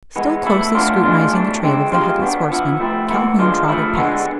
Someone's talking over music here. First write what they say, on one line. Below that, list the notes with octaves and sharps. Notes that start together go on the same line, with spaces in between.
Still closely scrutinising the trail of the Headless Horseman, Calhoun trotted past.
E3 G#3 B3
B2 A3 E4
A2 E3 B3 D4 F4
A2 G#3 D4 F4
B2 A3 D4
D3 G#3 C4
C3 F3 G#3 C4 F4
B2 B3 D4
F3 B3 E4
F3 A3 C4 E4
A2 E3 B3 E4
D3 F3 G#3 D4 F4
F3 A3 E4
D3 G#3 B3